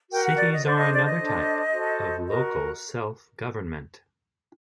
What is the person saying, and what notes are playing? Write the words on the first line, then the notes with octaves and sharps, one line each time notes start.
Cities are another type of local self-government.
F#4 A#4 G5
F#5
D5
D#5
D4 A4 C5 D5
D#5
D5
D#5
D4 A4 C5
F#4 A4 C5
F#4 A#4 D#5